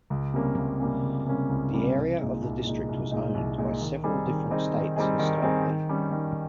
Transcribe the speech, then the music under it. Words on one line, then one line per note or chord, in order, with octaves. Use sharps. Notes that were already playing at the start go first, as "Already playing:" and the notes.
The area of the district was owned by several different states historically.
C#2
C3 G3 A#3 C#4
C#2
C3 G3 A#3 C#4
C#2
C3 G3 A#3 C#4
C#2
C3 G3 A#3 C#4
C2
A#2 G#3 D#4
C2
A#2 G#3 D#4
C2
A#2 G#3 D#4
C2
A#2 G#3 D#4
D#3
G3 C4 D#4 G#4
D#3
G3 C4 D#4 G#4
D#3
G3 C4 D#4 G#4
D#3
G3 C4 D#4 G#4
D#3
G3 C#4
D#3